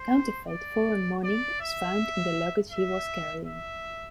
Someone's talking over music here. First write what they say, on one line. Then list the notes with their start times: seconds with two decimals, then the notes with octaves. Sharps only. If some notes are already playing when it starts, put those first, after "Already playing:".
Counterfeit foreign money was found in the luggage he was carrying.
Already playing: C5
0.49 D5
1.24 D5
1.61 E5
2.71 E5
3.45 E5